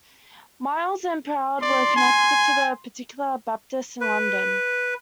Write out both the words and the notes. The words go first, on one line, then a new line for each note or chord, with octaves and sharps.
Myles and Proud were connected to the Particular Baptists in London.
D5 C6
G#5
B4